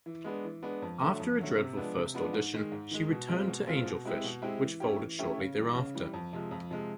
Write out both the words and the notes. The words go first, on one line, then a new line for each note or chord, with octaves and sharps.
After a dreadful first audition, she returned to Angelfish, which folded shortly thereafter.
E3
G#3 B3 D4
E3
G#3 B3 D4
F2
D3 F#3 A3
F2
D3 F#3 A3
C3
F3 G#3 B3 D4
C3
F3 G#3 B3 D4
G#2
D#3 G#3
G#2
D#3 G#3
B2
G#3 C4 F4
B2
G#3 C4 F4
B2
G#3 C4 E4 G4
B2
G#3 C4 E4 G4
E3
A3 C#4 E4 G4
E3
A3 C#4 E4 G4
C#3
E3 G3
C#3
E3 G3
F2
C3 F3 G#3
F2
C3 F3 G#3